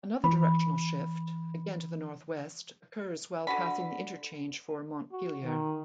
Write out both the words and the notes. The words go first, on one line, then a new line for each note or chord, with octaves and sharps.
Another directional shift, again to the northwest, occurs while passing the interchange for Montpelier.
E3 B5
D3 F#4 B5
F#4
D#3